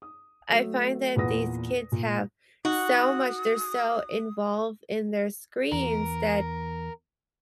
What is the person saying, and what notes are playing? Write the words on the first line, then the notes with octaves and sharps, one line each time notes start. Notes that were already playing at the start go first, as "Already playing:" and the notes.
I find that these kids have so much, they're so involved in their screens that
D#6
F#3 A3
E2 A#2 B4 F#5 D#6 A#6
A#2
D#4 F#4 D#6
E2 E3 A#4